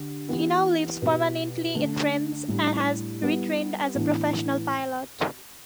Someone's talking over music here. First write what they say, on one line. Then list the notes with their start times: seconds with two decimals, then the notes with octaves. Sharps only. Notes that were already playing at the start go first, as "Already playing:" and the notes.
He now lives permanently in France and has retrained as a professional pilot.
Already playing: D3 G4
0.29 E3 B3 G4
1.02 B2 B3 G4
1.74 D3 A3 D4
2.48 A2 G3 D4
3.22 G3 B3 E4
3.95 A2 E3 B3 D4